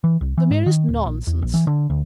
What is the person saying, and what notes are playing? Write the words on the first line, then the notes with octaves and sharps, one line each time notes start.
'The merest nonsense.'
E3
C2
E3
G#2
D#3
D1
A#1
E2
A#1
E3
D3
D2